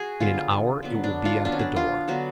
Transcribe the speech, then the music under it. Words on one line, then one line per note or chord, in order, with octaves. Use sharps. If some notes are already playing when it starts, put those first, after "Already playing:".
"In an hour it will be at the door."
Already playing: F#4 G#4
D3 F#3 B3 F4
D3 F#3 B3
D4
F4
D3 F#3 B3 D4
C#4
D4
F4
D3 F#3 B3 F#4